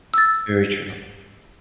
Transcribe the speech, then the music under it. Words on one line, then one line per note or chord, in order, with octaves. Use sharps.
Very true.
E6 A6